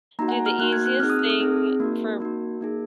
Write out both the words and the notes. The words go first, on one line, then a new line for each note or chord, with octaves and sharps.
do the easiest thing for
A#3 D#4 F#4 A#5
F#5
G#5
F6
A#3 D#4 F#4 F#6
G#6
F#6
C4 D#4 G#4 F6
D#6
F6
D#6
C4 D#4 G#4
A#3 D#4 F#4
A#3 D#4 F#4
A#3 D#4 G#4